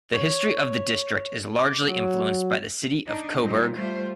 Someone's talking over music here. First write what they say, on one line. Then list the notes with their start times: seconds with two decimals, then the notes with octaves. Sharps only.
The history of the district is largely influenced by the city of Coburg.
0.14 C#5
1.59 D6
1.88 F#3
3.06 D4 D#4
3.41 A#2 G3 C4 D#4
3.77 G3 A3 F4 C5